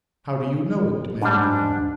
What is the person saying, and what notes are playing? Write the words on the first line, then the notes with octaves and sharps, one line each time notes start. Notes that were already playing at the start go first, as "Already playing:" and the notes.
'How do you know it?' demanded Lammle.
G#2 G3 D4